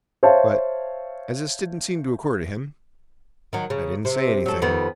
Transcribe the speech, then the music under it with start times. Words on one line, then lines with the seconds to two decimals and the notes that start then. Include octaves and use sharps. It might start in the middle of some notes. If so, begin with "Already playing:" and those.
But, as this didn't seem to occur to him, I didn't say anything.
0.23 C5 C#5 E5 F5 A5
3.53 D#3 F#3
3.70 C#3
4.05 C3
4.46 F#3 A4
4.62 F2 D#3 B3